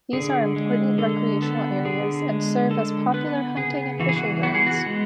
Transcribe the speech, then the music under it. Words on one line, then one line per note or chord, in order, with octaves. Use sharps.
These are important recreational areas, and serve as popular hunting and fishing grounds.
D3 G#4
G#3
D3 A4
B3 A4
D3 G#4
G#3
D3 A4
B3 B4
C#3 G#4
E3 F#4
G#4
F#4
B3 F#4
G#4
F#4
G#3